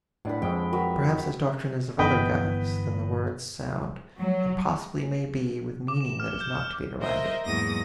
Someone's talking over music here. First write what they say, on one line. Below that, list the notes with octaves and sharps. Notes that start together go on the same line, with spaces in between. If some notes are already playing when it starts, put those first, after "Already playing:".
Perhaps his doctrine is of other guise Than the words sound, and possibly may be With meaning that is not to be derided.
A2 D4 B4 F#5
F2 G#3 G5
F#3 A#4 B4
G1 E3 B3 B4 D#5 G5
F#3
D6
E7
F6
G6
F6
A#4 C5 D#5 E5
E2 G#2 F#3 A#3 D#6 A#6